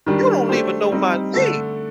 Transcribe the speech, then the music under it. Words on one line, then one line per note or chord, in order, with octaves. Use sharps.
You don't even know my name."
D#3 G3 D4 G4
A3 D4 G4 C5
G3 C4 D#4
D3 A3 D4 A4